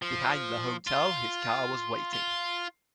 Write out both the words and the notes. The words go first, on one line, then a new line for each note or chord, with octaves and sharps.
Behind the hotel his car was waiting.
F3
F4
F4